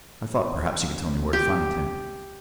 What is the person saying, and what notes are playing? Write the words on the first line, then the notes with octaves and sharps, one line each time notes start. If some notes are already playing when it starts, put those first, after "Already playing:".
I thought, perhaps, you could tell me where to find him.
G4